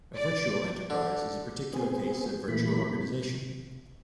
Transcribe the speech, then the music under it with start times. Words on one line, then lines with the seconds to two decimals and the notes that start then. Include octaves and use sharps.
A virtual enterprise is a particular case of virtual organization.
0.15 D5
0.90 D3
1.73 B3 C4 G#4
2.48 A#2 E3 A3 A#3 B5
2.94 C3